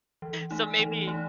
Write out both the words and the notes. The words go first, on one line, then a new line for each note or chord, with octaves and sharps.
So, maybe
E3
A3 D#4
E3
A3 D#4